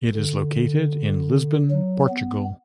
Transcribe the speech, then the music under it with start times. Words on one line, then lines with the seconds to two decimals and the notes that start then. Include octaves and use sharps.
It is located in Lisbon, Portugal.
0.15 D3
1.71 F#3
2.09 B3